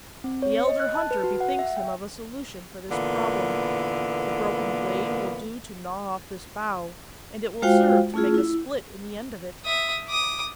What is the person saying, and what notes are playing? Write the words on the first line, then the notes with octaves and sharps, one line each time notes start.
The elder hunter bethinks him of a solution for this problem. The broken blade will do to gnaw off this bough, and it will serve to make a split in the end of it.
C4
C#5
C#7
D#5
F#6
A5
B4
F#4
F#5
E5
G5
A#2 D3 E3 A#3 B3
G#3 F4 F#4 C5 F5 G5
A3 C#4 E4 F4 G#4
E4
E5 D#6
D6 D#6